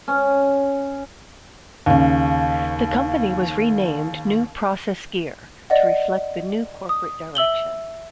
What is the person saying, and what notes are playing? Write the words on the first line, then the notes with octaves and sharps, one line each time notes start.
The company was renamed New Process Gear to reflect the new corporate direction.
C#4
D#2 C#3
D5 D#5 F#5
D#6
E5 E6 F#7 G7